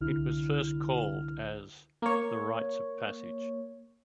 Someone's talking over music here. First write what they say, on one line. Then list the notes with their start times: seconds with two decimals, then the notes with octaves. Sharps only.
It was first called as "The Rites of Passage".
0.01 C2 D3 E4 F6
2.02 A#3 C#5